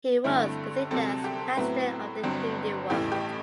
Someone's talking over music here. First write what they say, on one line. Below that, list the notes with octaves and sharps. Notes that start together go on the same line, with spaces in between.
He was considered as Caxton of the Hindi world.
G2 D3 A3 C4 E4
C2 C3 F#3 C4 A4 A5
G4 G5
A2 F#3 B3 C4 E4 B4
G1 G2 F#3 C4
A1 A2 E3 G4
G4